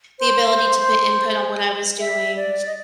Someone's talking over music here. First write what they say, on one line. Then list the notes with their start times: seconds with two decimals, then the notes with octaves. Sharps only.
the ability to put input on what I was doing.
0.19 C5
1.99 E5
2.36 D5
2.67 D#5